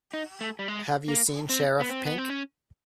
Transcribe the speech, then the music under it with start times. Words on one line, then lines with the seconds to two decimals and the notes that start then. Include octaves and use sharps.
Have you seen Sheriff Pink?
0.13 D#4
0.41 A3
0.59 G3
0.68 G#3
1.08 A#3
1.49 C4
1.80 B3
1.89 C4
2.06 B3
2.18 C4
2.30 C#4